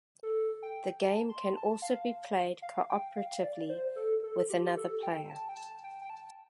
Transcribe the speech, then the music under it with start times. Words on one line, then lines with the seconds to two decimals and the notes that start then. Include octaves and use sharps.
The game can also be played cooperatively with another player.
0.23 A4
0.63 G5
1.03 A5
1.29 C6
1.56 A5
1.82 F5
2.62 F5
2.89 G5
3.16 F5
3.31 F5
3.43 D5
3.69 C5
3.96 A4
4.23 A4
4.50 G4
4.77 A4
5.03 G5
5.30 A5
5.49 G5
5.57 A5
5.83 G5
6.02 G5
6.10 A5